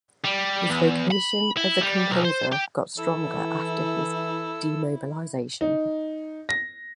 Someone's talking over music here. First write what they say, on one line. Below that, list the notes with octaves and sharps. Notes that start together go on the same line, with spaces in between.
His vocation as a composer got stronger after his demobilization.
G3
E2
B5
E4
G3
B1
C5
G4
E3 E4 A4 E6
D#4
A#6